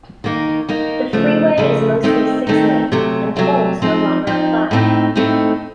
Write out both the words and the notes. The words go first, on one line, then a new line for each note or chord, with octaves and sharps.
The freeway is mostly six-laned and tolls no longer apply.
D#3 A#3 D#4
D#3 A#3 D#4
C#3 F3 A3
C#3 F3 A3
D#3 A3 C4 D#4
D#3 A3 C4 D#4
C3 F#3 A3
C3 F#3 A3
F3 C4 D#4
F3 C4 D#4
A2 A3 C4 D#4
A2 A3 C4 D#4